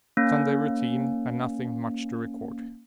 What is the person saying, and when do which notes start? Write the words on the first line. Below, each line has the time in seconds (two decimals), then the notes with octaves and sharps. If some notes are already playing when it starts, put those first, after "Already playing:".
Sunday routine and nothing much to record.
0.17 A#3 C#4